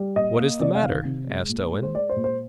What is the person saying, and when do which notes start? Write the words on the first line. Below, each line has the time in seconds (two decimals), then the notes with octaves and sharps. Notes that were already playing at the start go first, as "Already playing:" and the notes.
"What is the matter?" asked Owen.
Already playing: G3
0.16 A#2 D#5
0.38 A#3
0.60 C3 D5
0.75 F5
0.83 D#3
1.05 C3
1.28 G#3
1.49 A#2
1.72 G#3
1.83 C5
1.94 G#3 D5
2.10 C5
2.16 A#2
2.24 C5